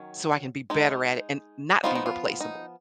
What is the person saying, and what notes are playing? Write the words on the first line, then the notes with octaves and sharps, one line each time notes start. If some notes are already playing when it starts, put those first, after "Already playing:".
so I can be better at it and not be replaceable?"
Already playing: D#3 F#3 C#4
G#3 D#4
F3 B3 D#4 F4
D#4
F4
D#4